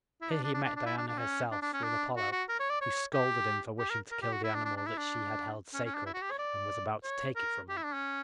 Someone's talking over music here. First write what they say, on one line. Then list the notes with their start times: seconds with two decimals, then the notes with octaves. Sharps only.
Here he met Diana herself with Apollo, who scolded him for wishing to kill the animal that she had held sacred, and was about to take it from him.
0.21 E4
0.32 D4
0.43 D4
0.54 D4
0.64 D4
0.76 D4
0.86 E4
0.97 D4
1.08 D4
1.18 C#4
1.51 D4
1.62 D4
1.73 C#4
1.83 D4
2.16 F#4
2.32 F#4
2.49 A#4
2.60 C#5
2.70 D5
2.81 C#5
3.13 G4
3.79 G4
3.90 A#4
4.11 A#4
4.22 G4
4.32 F#4
4.44 E4
4.55 D4
4.65 D4
4.76 D4
4.87 E4
4.98 D4
5.74 C#4
5.85 C#4
5.95 D4
6.06 E4
6.14 F#4
6.22 G4
6.31 C#5
6.39 D5
7.04 C#5
7.36 A#4
7.69 G4
7.77 E4
7.84 D4
7.93 C#4